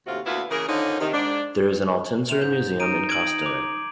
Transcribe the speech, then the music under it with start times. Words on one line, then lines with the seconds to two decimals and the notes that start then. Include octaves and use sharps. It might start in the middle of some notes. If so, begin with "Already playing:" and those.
There is an Altynsarin museum in Kostanay.
0.07 D#2 A2 C3 F4 F#4
0.26 D2 A#2 B3 E4 F#4 F5
0.50 C#3 E3 A#3 G#4 A#4
0.67 D3 D#3 F3 C#4 D#4
1.00 C3 D#3
1.13 G#2 D4
2.29 C3 F7
2.42 G#2 G6
2.80 D#4 A#5 D7 D#7
3.09 G#6 D7 F#7
3.42 D6 F7